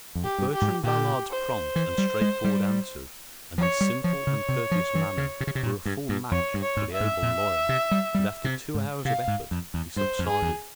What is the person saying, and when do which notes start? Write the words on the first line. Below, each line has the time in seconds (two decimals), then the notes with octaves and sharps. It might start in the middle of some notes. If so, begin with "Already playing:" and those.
But Bertrand Ballard's prompt and straightforward answers, and his simple and courteous manner, were a full match for the able lawyer, and after two hours of effort he subsided.
0.15 F2
0.24 G4
0.38 G2
0.53 G4
0.61 G#2
0.84 A#2 G4
1.30 C5
1.76 E3
1.98 G3
2.21 G#3
2.44 G3
3.58 F3 C#5
3.81 G3
4.04 F3 C#5
4.27 C#3
4.49 C3
4.71 F3
4.95 E3
5.18 C#3
5.41 C3
5.47 C#3
5.55 C3
5.63 A#2
5.86 G2
6.09 G2
6.31 F2 C#5
6.54 G2
6.62 C#5
6.77 G#2
6.93 E5
7.01 G#2
7.23 A#2
7.69 C3
7.91 G3
8.15 G3
8.44 C3
8.74 G#2
9.05 C3 F5
9.28 G#2
9.51 F2
9.74 E2
9.96 G2 C5
10.19 F2
10.27 G#4
10.42 E2